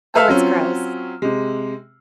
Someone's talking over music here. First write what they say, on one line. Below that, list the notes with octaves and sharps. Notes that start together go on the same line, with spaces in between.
oh, it's gross.
A4 B4 E5 F5 E6 F6
F#3 C4 C#4 F4
C3 G#3